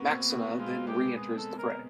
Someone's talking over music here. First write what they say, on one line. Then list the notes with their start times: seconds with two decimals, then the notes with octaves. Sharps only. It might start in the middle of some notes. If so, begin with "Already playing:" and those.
Maxima then reenters the fray.
Already playing: A#3 B3 F#4
0.10 C4
0.30 B3 F#4
0.59 G#3 F4
0.87 G#3 G4
1.16 G#4
1.37 A4
1.58 A#4